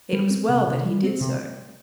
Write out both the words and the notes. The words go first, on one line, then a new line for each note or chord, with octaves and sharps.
It was well that he did so.
G3
C4
C3
C3
G3
C4
C3